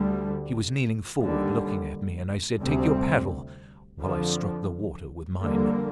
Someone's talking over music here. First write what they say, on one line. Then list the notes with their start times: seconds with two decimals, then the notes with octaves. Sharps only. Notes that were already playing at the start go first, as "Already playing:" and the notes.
She was kneeling forward looking at me, and I said, 'Take your paddle,' while I struck the water with mine.
Already playing: D2 D3 G3
1.20 D#2 D3 G3
2.59 D2 C3 G3 C4
4.00 F2 D3 F3
5.40 F2 D3 G3 A#3